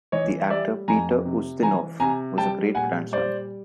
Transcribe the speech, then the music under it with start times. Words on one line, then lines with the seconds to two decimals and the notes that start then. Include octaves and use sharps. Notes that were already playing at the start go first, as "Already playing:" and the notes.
The actor Peter Ustinov was a great-grandson.
0.12 E3 C#5 D#5
0.50 G3 D5 E5
0.88 F2 G#5 A#5
1.25 C3
1.63 E3 G#5 A#5
2.00 C3 G#5 A#5
2.38 G3 G5 A5
2.75 A#2 F#5 G#5
3.12 G3 C5 D5